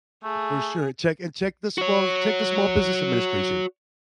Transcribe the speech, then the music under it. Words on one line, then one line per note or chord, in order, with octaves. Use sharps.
For sure, check and check the small check the small business administration,
A3 G#4
F#4 C#5